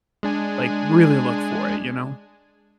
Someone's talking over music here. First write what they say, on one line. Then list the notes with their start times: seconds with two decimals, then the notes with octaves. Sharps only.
like, really look for it, you know?
0.23 G#3 D4 G#5